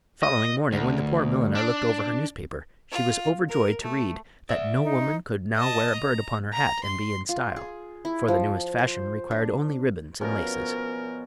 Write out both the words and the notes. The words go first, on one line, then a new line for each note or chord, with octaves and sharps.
The following morning when the poor milliner looked over her newspaper she was overjoyed to read that "no woman could now wear a bird upon her hat and be in style, for the newest fashion required only ribbons and laces."
D#5
D2
D4
F4
A#4
A3
D5 E5
D#4
D#5 A5
A#5
A#5
C6
F4
G#4
E4
F3
C5
D4
B2 F3 C#4 A#4